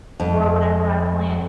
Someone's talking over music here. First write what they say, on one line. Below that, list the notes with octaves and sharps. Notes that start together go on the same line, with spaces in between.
for whatever I plant
F2